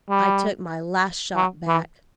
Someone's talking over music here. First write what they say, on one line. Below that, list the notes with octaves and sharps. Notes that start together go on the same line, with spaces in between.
I took my "Last Shot" back.
G3
F#3
E3